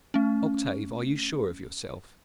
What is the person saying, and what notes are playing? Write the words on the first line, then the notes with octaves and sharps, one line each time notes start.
"Octave, are you sure of yourself?"
A3 C#4